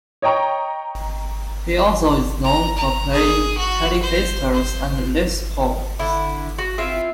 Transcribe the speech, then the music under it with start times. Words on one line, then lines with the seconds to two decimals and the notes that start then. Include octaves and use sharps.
He also is known for playing Telecasters and Les Pauls.
0.22 C#5 D#5 G5 A#5 C#6
2.44 A#5
2.77 A#5
3.13 G#4
3.58 F#4
4.02 C5
4.53 C5
5.99 D3 E4
6.59 F#4
6.78 C4 E4 F4 E5